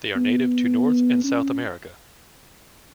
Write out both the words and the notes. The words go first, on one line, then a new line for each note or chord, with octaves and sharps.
They are native to North and South America.
B3
C#4